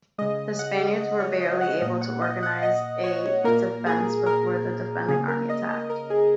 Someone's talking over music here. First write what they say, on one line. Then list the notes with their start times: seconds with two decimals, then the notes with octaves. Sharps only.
The Spaniards were barely able to organise a defence before the defending army attacked.
0.18 C#3 G#3 D#5
0.59 F#5
1.00 D#5
1.20 C#5
1.41 D#5
1.61 F#5
1.82 A#2 A#3 D#5
2.01 F#5
2.22 D#5
2.43 F#5
2.63 D#5
3.04 C#5
3.44 A#2 A#3 A#4
3.86 G#4
4.26 A#4
5.08 C#3 A#3 G#4
5.28 A#4
5.49 D#5
5.69 D#5
5.90 A#4
6.10 G#4